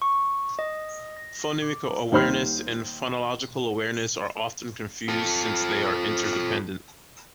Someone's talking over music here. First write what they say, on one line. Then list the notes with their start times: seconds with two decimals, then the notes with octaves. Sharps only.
Phonemic awareness and phonological awareness are often confused since they are interdependent.
0.02 C#6
0.59 D#5
1.17 A#6
1.62 D6
2.12 D#2 D#3 G3 C5 B5 F6
5.08 F4 A4